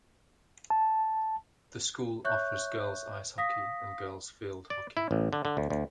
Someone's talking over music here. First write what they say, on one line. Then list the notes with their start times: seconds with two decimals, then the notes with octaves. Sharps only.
The school offers girls' ice hockey and girls' field hockey.
0.70 A5
2.25 C#5 E5 C#6 F#6 G6
3.38 F5 D#6 A#6 B6
4.70 D5
4.97 E4
5.11 A1
5.33 D3
5.45 D3
5.57 D2
5.70 D2